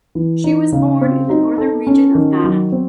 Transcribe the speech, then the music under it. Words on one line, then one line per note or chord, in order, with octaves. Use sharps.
She was born in the Northern Region of Ghana.
E3
D#4
C#3
C4
D#4
A4
C#4
D#3
F#3
C4